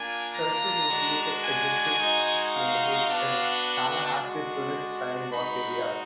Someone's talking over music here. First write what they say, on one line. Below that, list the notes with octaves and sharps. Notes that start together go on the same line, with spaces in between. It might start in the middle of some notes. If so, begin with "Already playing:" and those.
Searches include addresses, parks, neighborhoods and Tallahassee Police Crime Watch areas.
Already playing: A#3 D4 F4 G#5
A#5
G#3 D4 F#4
G#5
G#3 D#4 F#4
F5
B3 D4 F#4
F#5
G#3 D4 F#4
G#3 D#4 F#4 B5